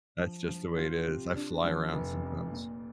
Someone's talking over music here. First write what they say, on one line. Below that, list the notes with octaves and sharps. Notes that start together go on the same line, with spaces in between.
that's just the way it is, I fly around sometimes.
F3
F3
F4
C3
D4
F3
F1
F2
A#2